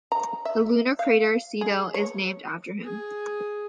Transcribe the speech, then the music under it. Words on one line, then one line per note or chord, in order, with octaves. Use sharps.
The lunar crater Seidel is named after him.
A#5
E5
F5
G#4
C#5
G#4